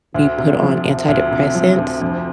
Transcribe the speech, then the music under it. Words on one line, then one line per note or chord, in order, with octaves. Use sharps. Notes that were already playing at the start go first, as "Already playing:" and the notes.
be put on antidepressants,
D2
C3
F3
D2
D2
C3
F3
D2
F2